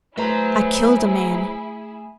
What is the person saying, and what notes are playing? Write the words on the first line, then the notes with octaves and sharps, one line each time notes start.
I killed a man.
F#3 A3 E4 G#4 B4 C5 A#5